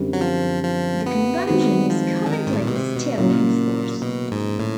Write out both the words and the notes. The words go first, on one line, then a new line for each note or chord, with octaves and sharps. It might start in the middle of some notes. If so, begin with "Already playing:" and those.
The Convention is currently still in force.
Already playing: F#2 D3 G3 C4
F#3
F3
F3
B3
D#3 G#3 B3 C4 D#4 F#4
F3
D3
D#3
G#2
A2
A#2
B2
C3
B2
A#2 C#3 F#3 A#3 C#4 E4
B2
G#2
A2